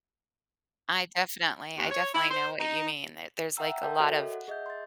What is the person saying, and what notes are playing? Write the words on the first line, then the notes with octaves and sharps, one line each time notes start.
I definitely, I definitely know what you mean. That there's like a lot of
D#2
C#5
E4
C5
D#4
E5 F#5 G5 A#5 E6
A#4 G5 A5 G6
F#4 A4 C#5 D#5 E5
F#5
G#4 D#5 E5 G6
C6 A6